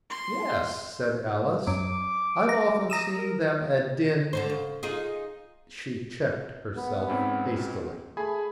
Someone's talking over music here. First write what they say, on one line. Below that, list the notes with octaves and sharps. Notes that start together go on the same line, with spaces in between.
'Yes,' said Alice, 'I've often seen them at dinn--' she checked herself hastily.
C6
F#2 D6
A#5
A#5 D#6 E6
A#4
D3 A4 C5
C#3
D#4 F4 G#4
B3
G#2 C4 C#4
B2
A3 G#4 G#5 B5